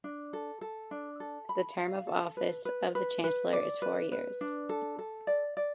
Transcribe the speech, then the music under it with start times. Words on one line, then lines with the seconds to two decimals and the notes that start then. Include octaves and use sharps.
The term of office of the Chancellor is four years.
0.04 D4
0.33 A4
0.61 A4
0.91 D4
1.20 A4
1.49 B5
1.78 F5
2.07 A4
2.37 B4
2.65 B4
2.95 B4
3.24 B4
3.53 D5
3.82 B4
4.12 B4
4.41 D4
4.69 A4
4.99 A4
5.27 D5
5.57 D5